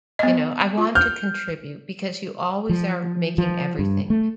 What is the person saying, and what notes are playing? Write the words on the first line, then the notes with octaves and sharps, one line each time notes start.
You know, I want to contribute because you always are making everything."
B3 D#5
F4
F6 G6
F3
F3
G2
A3